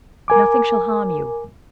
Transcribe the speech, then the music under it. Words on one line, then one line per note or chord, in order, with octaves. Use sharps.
Nothing shall harm you.
A#4 G#5 D6